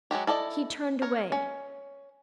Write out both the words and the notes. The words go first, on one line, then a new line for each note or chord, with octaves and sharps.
He turned away.
F#3 G#3 F#4 G4
E4 A4 D5 D#5
A#4 C#5
C#4